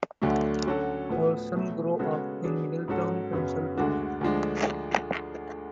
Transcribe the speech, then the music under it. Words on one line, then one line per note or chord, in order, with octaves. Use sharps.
Olsen grew up in Middletown, Pennsylvania.
D2 D3 F#3 A3
D3 F#3 C#4 F#4 A4
A2 F3 B3
B2 F#3 A3
C#3 G#3 B3 F#4 A4
F#3 B3 D4 G#4
G#2 F#3 C#4 F#4 A4
F#2 C#3 F#3 B3
D2 D3 G#3 D4 F#4
D2 D3 F3 G#3 D4